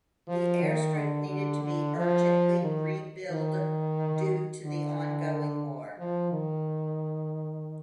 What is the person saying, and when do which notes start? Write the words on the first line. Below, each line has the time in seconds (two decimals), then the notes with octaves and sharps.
The airstrip needed to be urgently rebuild due to the ongoing war.
0.27 F3
0.61 D#3
0.94 D3
1.28 D3
1.62 D3
1.95 F3
2.62 D#3
3.30 D#3
4.64 D3
5.98 F3
6.32 D#3